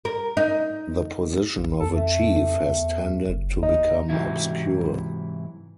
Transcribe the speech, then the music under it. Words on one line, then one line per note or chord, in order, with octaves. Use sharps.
The position of a chief has tended to become obscure.
A#4
D#4
A#1
F2 A4
A3
E2
F#1
D#2 D#4
G#2 C3 D#3 E3 F#3 E4